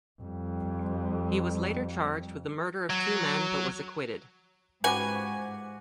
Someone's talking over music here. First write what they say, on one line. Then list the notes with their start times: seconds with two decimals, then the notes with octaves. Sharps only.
He was later charged with the murder of two men but was acquitted.
0.22 F2 G3
2.90 F#3
4.84 G#2 F3 C#4 F#4 G4 B4 G#5